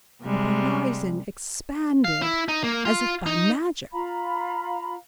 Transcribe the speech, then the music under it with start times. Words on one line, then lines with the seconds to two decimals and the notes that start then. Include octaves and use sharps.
The horizon expanded as if by magic.
0.23 C3 G3 G#3
2.05 F5
2.22 E4
2.49 D#4
2.64 A#3
2.85 F4
3.26 D#4
3.92 F4 F5 A#5 B5